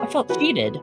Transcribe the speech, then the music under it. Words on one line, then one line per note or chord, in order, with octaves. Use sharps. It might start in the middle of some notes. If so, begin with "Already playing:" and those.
I felt cheated!
Already playing: B3 G#4 C#5
E3 F#4 B4
B3